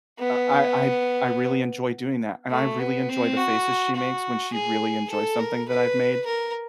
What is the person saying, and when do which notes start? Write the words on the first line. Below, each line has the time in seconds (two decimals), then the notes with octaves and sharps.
I I I I really enjoy doing that, and I really enjoy the faces she makes when she really enjoys something that I've made.
0.19 B3
2.50 A3
2.79 B3
3.08 C4
3.37 F#4
3.95 F#4
4.53 G#4
5.10 A4
5.39 A#4
5.69 B4
6.26 A#4